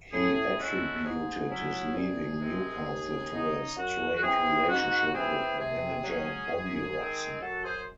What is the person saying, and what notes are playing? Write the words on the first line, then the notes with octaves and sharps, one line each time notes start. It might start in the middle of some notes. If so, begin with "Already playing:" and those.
He attributed his leaving Newcastle to a "strained relationship" with manager Bobby Robson.
A2 G#4
G#3 C#4 E4 F#4 A4
G#2 G#4
F#3 C#4 E4
C2
C3 D#3 G#3 C4
D#2
C#3 G#3 D#4
F#2 F#4
F#4
E3 C4 G#4
G#2 F#4
E3 C4 G#4
C3 G#4
F#3 C#4
F#2
D#3 G#3 C4
F#2 F#4 A4
G#4 C5